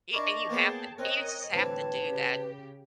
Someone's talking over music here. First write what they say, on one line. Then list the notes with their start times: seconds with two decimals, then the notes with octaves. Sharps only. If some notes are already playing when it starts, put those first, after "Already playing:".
a and you have to you just have to do that
0.14 D4 E4 A#4 D#5 A5 C#6 D6
0.50 A#3 B3 G#4 C#5 G5 A5
0.98 C4 C#4 A#4 C#5 D#5 F#6
1.53 A2 D3 E3 G3 C4 B4 C#5 A5
2.02 C#3 G4